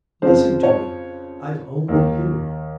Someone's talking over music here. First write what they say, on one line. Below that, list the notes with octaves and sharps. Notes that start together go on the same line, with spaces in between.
Listen to me, I've only you.'
F2 C#3 F3 C5
C#5
D#2 D#3